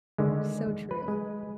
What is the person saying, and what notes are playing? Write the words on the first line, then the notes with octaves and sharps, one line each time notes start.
So true.
D3 D#3 G#3
B4
G#3